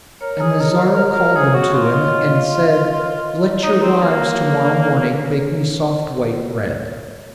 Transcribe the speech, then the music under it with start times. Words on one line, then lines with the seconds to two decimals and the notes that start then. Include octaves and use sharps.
And the Tsar called them to him and said: "Let your wives, to-morrow morning, bake me soft white bread."
0.21 A#4 C#5
0.35 C#5
0.40 G#4
0.49 D#5
0.60 A#4
0.64 C#5
0.77 A#4 C5
0.95 A#4
1.12 A#4
1.35 G#4 C#5
1.55 F#4
1.74 F4
1.92 F4 D#5
2.02 C#5
2.07 D#5
2.22 D#5
2.35 D#5
3.63 D#4 C#5
3.83 C4
4.02 A#3